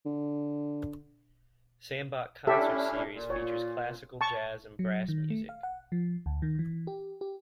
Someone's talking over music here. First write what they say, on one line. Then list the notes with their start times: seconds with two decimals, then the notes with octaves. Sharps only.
Sandbach Concert Series features classical, jazz and brass music.
0.05 D3
2.47 C#4 D4 E4 G4 A4 E5
3.13 A#2
3.30 C#5
4.21 A5 C#6
4.79 F#3
5.08 D#3
5.30 A3
5.49 F5
5.63 F#5
5.92 F3
6.26 D2
6.42 D#3
6.59 E3
6.87 G4
7.21 G4